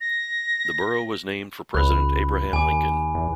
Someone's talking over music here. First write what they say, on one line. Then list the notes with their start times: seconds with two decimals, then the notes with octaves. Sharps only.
The borough was named for President Abraham Lincoln.
0.01 A#6
1.74 C#2 B5 F#6
2.53 D#2 G#5 D6
3.15 E2